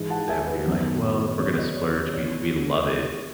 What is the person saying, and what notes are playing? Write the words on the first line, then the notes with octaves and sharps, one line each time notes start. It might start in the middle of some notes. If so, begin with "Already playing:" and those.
that we're like, "Well, if we're gonna splurge," we we love it,
Already playing: G#2 E3 G#3
F#5 A5
E5 G#5
B4
F#2 D#3 F#3 B3
C#3 F#3 B3 C#5
B4 D#5
C#5
B4
E3 B3 C#5